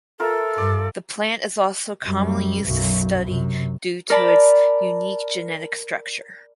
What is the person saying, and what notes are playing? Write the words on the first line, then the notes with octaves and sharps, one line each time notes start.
The plant is also commonly used to study due to its unique genetic structure.
F4 A4 A#4 E5
G2 D5
F#2 G3
B1 F#2
F#2 C3
A#4 D5 A5 B5